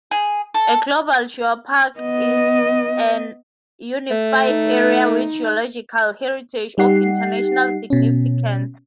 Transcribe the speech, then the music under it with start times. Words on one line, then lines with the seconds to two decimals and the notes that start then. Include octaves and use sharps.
A "Global Geopark" is a unified area with geological heritage of international significance.
0.11 G#4
0.54 A4
1.99 B3 D#5
4.11 A3
4.46 D#4
6.78 G3 D#4 G4 F#5 C7
7.90 B2 C#4